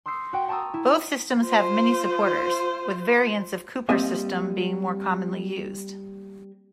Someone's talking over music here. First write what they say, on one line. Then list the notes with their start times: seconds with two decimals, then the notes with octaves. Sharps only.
Both systems have many supporters, with variants of Cooper's system being more commonly used.
0.06 C6 D#6 E6 G6 C7 C#7
0.33 F#4 G5
0.48 G5 A5 A#5 C#6 D#6 E6
0.74 E4
1.42 F4 C5
3.89 G3 A#3 C4 G4 D#5 E5